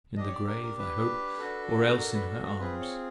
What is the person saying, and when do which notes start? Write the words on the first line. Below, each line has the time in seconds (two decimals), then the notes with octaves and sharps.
In the grave, I hope, or else in her arms.
0.17 D4 G4 D#5
0.27 C#5
0.32 D5
0.47 A#4
0.63 A#4
0.78 B4
1.38 D4 F#4 A4
1.99 A#4
2.14 B4
2.45 A4
2.59 C4 F4 G#4 B4
2.80 C#5